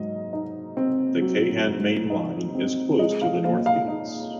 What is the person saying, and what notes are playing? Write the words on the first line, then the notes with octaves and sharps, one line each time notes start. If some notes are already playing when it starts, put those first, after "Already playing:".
The Keihan Main Line is close to the north gates.
Already playing: G#2 F#3 D#5
D#4
C4
F#3
G#2
D#4
C4
G#3 D#5
F5
A#2 F5
F5
D#4